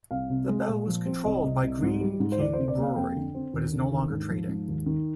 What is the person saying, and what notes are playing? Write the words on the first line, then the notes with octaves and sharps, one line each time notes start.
The Bell was controlled by Greene King Brewery but is no longer trading.
C2 F5
C3
G#3
A#2
F3
C4
C2 D#5
C3
C2
G#2
G3
G#2
C5
D2 D5
C3 C5
D5
A#3 F5
F2 G5
D3
C4
D#2
D3
D#2
G#2
F3
G#2
D#2
D#3